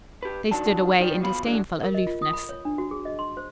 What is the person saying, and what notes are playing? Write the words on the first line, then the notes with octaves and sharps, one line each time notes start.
They stood away in disdainful aloofness.
G4 B4
C2 D#3 F#3 D4 A5
D#3 F3 G3
D#2 B2 F3 F4 B5
E3 F#3 G#3 D4
A#4
D#5
F4
D#6
B5
C#5
D4
F#4
G#4
D#5
C6
C5